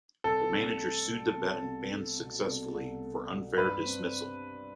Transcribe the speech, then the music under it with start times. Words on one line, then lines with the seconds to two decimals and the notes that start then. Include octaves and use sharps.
The manager sued the band successfully, for unfair dismissal.
0.24 C2 A4
0.52 C2
0.79 A3
1.07 B2
1.35 C2
1.62 C2
1.90 A3
2.18 B2
2.47 C2
2.74 C2
3.02 A3
3.30 B2
3.57 G2 B4
3.85 C4